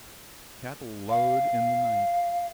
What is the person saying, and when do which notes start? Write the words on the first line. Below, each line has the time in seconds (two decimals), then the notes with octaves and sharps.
Cattle lowed in the night.
1.10 F5